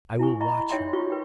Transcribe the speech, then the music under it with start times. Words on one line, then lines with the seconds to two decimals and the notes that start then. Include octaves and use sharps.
I will watch her.
0.19 E4 G#5 C#6
0.40 D#5 E5 A#5 B5 C#6
0.70 D#4 C#5 E5 G5 C6
0.93 F4 F#4 C#6
1.10 B4 G5